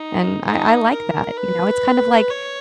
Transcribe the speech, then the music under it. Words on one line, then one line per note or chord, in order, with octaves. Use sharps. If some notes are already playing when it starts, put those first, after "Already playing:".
and I I like that, you know? It's kind of like
Already playing: D#4
D#4
A#4
B4
C#5